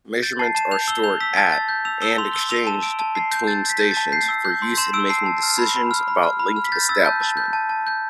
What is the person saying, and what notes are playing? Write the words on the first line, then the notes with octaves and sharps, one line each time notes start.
Measurements are stored at-and exchanged between-stations, for use in making decisions about link establishment.
G6 A6
A5 C7
A5 E7
G6 F7
E6 G7
G6 F7
E6 B6
A5 A6
E6 A6
G6
E6 F7
E6 G7
C6 F7
E6 G7
E6 F7
A5 E7
E6 D7
A5
A5 C7
G6
G6 A6
G6
B6
G6
A6
A5
G6 C7
E6
G6
C6
C6 E7
E6 D7
A5 C7
A5
F6
B5
B5
F6
B5
F6
B5
F6
B6
G6 A6
E6 A6
A5 G6
A5 A6
G6
A5
A5
G6